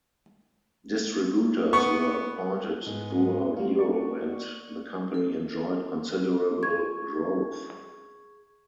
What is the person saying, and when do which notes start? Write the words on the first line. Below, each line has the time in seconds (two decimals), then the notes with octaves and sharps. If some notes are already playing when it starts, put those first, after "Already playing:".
Distributors were appointed throughout Europe and the company enjoyed considerable growth.
1.73 B3 C#6
2.86 G#2 G#3 B3
3.57 G3 A3 F4 F#4
3.79 D5 C#6
5.14 A4
6.63 G#4 C#6 G#6